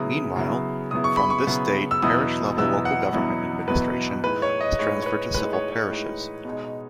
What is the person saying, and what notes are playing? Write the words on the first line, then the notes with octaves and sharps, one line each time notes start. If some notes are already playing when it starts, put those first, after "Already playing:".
Meanwhile, from this date parish-level local government administration was transferred to civil parishes.
Already playing: C#3 F#3 B3 E4 D#6
C#3 F#3 B3 E4
C#3 F#3 B3 E4 D#6
C#6
B5
C#6
C#3 F#3 B3 E4
E6
E2 B2 F#3 B3 E4 D#6
E2 B2 F#3 B3 E4 E6
F#5
E2 B2 F#3 B3 E4
E2 B2 F#3 B3 E4 B4
A2 G#3 D#4 B4
C#5
D#5
A2 G#3 D#4 C#5
C#5
B4
A2 G#3 D#4 B4
C#5
C#5
A2 G#3 D#4
B2 G#3 D#4